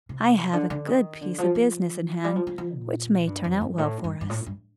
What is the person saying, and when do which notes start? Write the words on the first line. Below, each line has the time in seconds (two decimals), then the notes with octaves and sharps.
I have a good piece of business in hand which may turn out well for us.'
0.09 C3
0.53 D3
0.70 D3
0.87 D#3
1.21 D3
1.38 F3
1.55 F3
2.24 G3
2.36 F3
2.47 F3
2.58 F3
2.75 A#2
3.27 G2
3.44 F2
3.61 G2
3.78 A2
4.04 G2
4.21 G2
4.30 A2
4.46 G2